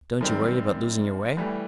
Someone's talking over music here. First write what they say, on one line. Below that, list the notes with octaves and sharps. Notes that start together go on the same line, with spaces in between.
"Don't you worry about losing your way?"
F#2 D#3 G3 C4
A2 E3 G3